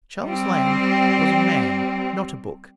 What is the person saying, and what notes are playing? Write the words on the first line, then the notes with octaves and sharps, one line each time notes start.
Charles Lamb was a man, not a book.
G3 C4